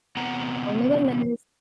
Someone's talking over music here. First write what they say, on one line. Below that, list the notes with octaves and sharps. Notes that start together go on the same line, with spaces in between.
oh my goodness,
E2 C3 B3 F#5 A#5